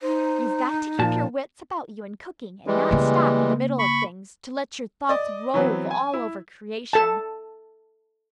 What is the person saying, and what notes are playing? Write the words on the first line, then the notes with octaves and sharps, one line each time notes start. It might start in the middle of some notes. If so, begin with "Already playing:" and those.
You've got to keep your wits about you in cooking and not stop in the middle of things to let your thoughts rove all over creation.
D#4 C5
A#2 F3 A5
E3 G3 G#3
C#3 A#3
B5 C#6
D5 D#5
E3 F#3 B3 C4
G#5
E4
A4 A5